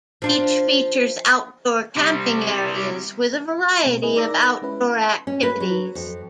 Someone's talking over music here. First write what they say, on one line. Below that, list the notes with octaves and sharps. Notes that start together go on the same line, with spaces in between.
Each features outdoor camping areas with a variety of outdoor activities.
F3 D4 F4
C3 G3
B2 A3 C4
G#3 E4 G#4 B4 D#5
D#4 A#4 D5 D6 E6 A#6
G#3 C#4 E4 B4
C#4
B4
F#3
F2